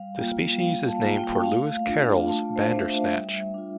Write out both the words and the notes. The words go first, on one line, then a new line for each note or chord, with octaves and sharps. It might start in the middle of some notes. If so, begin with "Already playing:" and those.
The species is named for Lewis Carroll's Bandersnatch.
Already playing: G3 F5
A#3 F4 G5
G3 F5
A5
A#3 F4
G5
A3 F5
D4 F4
A3 A5
C5
D4 F4
E5
F5
G3 E5
D4 F4